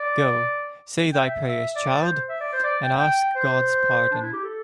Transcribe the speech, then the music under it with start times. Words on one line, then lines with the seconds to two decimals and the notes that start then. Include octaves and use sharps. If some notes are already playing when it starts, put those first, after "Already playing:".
Go, say thy prayers, child, and ask God’s pardon.
Already playing: D5
1.13 G5
1.22 E5
1.49 E5
1.76 D5
2.02 C5
2.29 E5
2.41 D5
2.53 C5
2.64 D5
2.83 G5
3.00 G5
3.36 C5
4.12 D4
4.22 E4
4.33 G4
4.44 A4